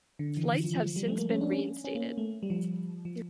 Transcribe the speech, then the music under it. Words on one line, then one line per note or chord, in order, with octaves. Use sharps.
Flights have since been re-instated.
D3
E3
D3
F3
F3
F3
G3
A3
A#3
C#4
D4
C#4
C#4
A#3
A3
G3
F3
F3